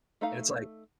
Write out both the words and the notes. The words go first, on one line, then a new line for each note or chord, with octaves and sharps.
and it's, like
A3 D#4 F5